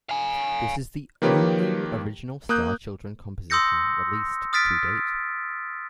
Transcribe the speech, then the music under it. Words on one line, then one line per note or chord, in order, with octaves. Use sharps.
This is the only original Starchildren composition released to date.
F5 G#5
D#3 F3 A#3 G4 B4 C#5
A#3 D#6 F#6 G6
C6 D#6 E6 G6 A#6 C#7
D#6 F6 A6 B6 D7